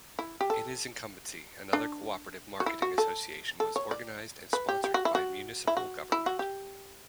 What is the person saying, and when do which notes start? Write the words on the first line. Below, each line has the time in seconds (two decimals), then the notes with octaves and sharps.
In his incumbency another cooperative marketing association was organized and sponsored by municipal government.
0.19 E4
0.41 G4
0.50 A4
1.73 D4
2.60 F#4
2.66 E4
2.82 F#4
2.98 A4
3.60 A4
3.76 C#5
3.91 D5
4.53 B4
4.69 G4
4.84 G4
4.94 F#4
5.05 E4
5.15 F#4
5.67 E4
5.77 F#4
6.12 E4
6.26 F#4
6.39 G4